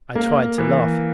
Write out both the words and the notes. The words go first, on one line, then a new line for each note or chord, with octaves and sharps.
I tried to laugh.
A#3
E3